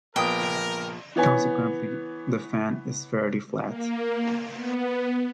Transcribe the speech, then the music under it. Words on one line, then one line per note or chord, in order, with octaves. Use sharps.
Consequently, the fan is fairly flat.
A#1 B3 A#4 G5 D#6
E3 B3 C#5 G#5
A#3
B3